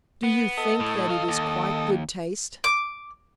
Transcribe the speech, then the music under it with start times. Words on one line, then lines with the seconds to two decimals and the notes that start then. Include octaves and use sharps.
"Do you think that it is quite good taste?"
0.23 B3
0.58 A4 D#5
0.80 A2
1.09 F#3 F5
1.28 D#2
2.64 D6